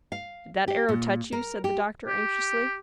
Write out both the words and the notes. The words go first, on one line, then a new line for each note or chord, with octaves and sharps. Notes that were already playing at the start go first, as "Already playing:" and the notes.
"Did that arrow touch you?" said the doctor anxiously.
F5
G4
A#2
A#4
G4
G4